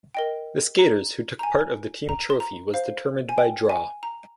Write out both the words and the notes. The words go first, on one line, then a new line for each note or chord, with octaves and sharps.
The skaters who took part the team trophy was determined by draw.
A#4 D#5 G5
A#5
A#5
G#5
A#5
C6
A#5
C5 F5
G#5
G5
G#5
A#5